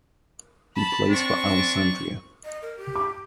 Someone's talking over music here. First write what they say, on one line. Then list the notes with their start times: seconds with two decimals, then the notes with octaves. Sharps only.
He plays for Alessandria.
0.76 A5 B5
1.09 C4 D4 C#6
2.44 D#5
2.62 A#4
2.77 G4
2.96 D6